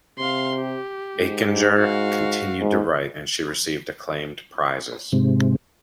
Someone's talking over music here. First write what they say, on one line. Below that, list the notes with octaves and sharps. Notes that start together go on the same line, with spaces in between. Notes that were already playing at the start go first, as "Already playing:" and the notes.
Aichinger continued to write and she received acclaimed prizes.
C3 F5 C6
G4
G#2
F#4 F5
G#2
G#2 C3